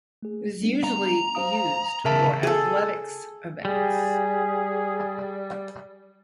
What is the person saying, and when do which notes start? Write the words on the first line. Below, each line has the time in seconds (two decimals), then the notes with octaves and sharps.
It is usually used for athletics events.
0.23 A3 G#4
0.62 G3 B3 D4
0.84 A#5
1.35 C5 F5 D#6
2.05 E2 C#3 G#4 A#4 E5 A5
2.43 G#4 A4
3.65 G3 G#4